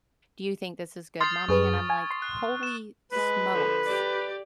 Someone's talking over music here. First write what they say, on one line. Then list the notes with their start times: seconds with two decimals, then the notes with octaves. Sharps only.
"Do you think this is good, mommy?" And I'm like, "Holy smokes.
1.20 C6 D#6 F6 G6 A6 C7
1.49 F#2 G#4 B4 C#6
1.90 G#5
2.11 C6
2.22 F#6
2.63 E7
3.12 G#3 B4
3.53 D3 F3
3.85 G4 D5